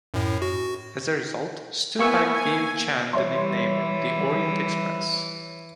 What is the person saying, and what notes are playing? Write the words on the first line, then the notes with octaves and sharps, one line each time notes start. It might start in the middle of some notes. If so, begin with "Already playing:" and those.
As a result, Stupak gave Chan the nickname "The Orient Express".
F#2 A2
F#4
A#3 B3 E4 G#5 C#6 E6
G#5
E3 G3 C#5 E5 C6